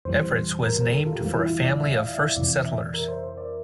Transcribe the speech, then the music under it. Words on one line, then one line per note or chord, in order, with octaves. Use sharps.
Everetts was named for a family of first settlers.
F2 E3 G3 C5
A#4
A#4
A4
F4
G4
F2 E3 G3 F4
E4
F4
D5
E5
F5
E5
E5
F2 C3 E3 D5
E5
A#4
C5
C5
D5